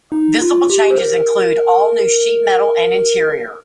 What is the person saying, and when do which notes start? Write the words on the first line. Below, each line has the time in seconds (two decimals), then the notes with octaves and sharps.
Visible changes include all new sheet metal and interior.
0.12 D#4
0.41 F4
0.70 G4
0.90 C5
0.98 A#4